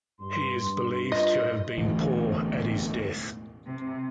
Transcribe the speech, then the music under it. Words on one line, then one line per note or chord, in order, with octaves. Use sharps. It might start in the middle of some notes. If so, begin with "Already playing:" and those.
He is believed to have been poor at his death.
G2 C6
F4 D#5
E1 A1 D2 E3
C3